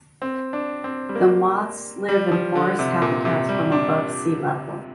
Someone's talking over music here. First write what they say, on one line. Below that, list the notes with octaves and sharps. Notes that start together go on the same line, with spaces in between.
The moths live in forest habitats from above sea level.
C4
D4
C4
G3
A#3
G3
F3
D3
C3
A#2
C3
G3
D4